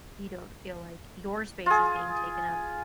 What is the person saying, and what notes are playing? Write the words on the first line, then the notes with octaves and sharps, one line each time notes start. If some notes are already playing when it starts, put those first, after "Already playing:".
you don't feel like your space is being taken up
F4 G#4